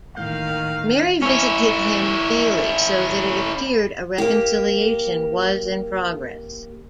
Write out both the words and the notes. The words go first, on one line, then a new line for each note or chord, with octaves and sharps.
Mary visited him daily, so that it appeared a reconciliation was in progress.
A2 D#3 A#3 F5 G6
C#4 E4
A#3 G4